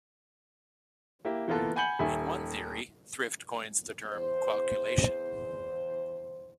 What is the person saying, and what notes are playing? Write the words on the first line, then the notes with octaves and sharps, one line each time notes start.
In one theory, Thrift coins the term qualculation.
A#3 E4 G4
E3 A#3 B3 F4 A4
F#5 G#5 B5 G6 C#7 F#7
D#1 D#3 G4 E5 G#5
E2 C5